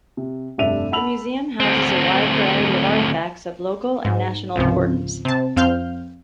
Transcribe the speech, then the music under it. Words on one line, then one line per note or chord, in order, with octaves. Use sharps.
The Museum houses a wide variety of artifacts of local and national importance.
C3
F1 G2 D4 E5 D#7 F7
F#5 A5 B5 E6 F7 F#7
D2 C4
G#2
G#1 C#2 C3 F3
C3 A5
F2 C4 F5 F6 G6